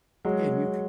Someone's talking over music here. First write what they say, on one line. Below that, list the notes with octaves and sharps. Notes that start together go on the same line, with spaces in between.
And you could
F#3 G#3